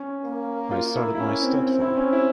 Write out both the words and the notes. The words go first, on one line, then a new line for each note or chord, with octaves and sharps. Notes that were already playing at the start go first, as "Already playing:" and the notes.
I started my stud farm.
Already playing: C#4
A#3
F4
E4
E4
C#4
C4
C4
E4
C#4
E4